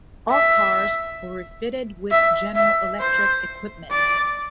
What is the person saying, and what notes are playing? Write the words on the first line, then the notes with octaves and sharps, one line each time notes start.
All cars were refitted with General Electric equipment.
E5
E5
E5
C5
D5